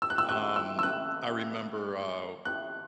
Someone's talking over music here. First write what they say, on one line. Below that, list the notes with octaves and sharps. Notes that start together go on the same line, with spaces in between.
Um, I remember, uh,
E6
F#6
E6
F#6
E6
E6
F#6
F#6